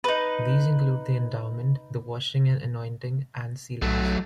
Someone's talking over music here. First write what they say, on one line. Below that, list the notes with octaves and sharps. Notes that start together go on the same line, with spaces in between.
These include the endowment, the washing and anointing, and sealings.
D#4 B4
B1 F#3 A3